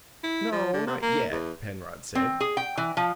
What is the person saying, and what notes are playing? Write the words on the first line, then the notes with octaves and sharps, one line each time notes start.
"No; not yet," Penrod said.
E4
F3
D3
C3
A#3
E2
C4
G#4
G5
E3
F3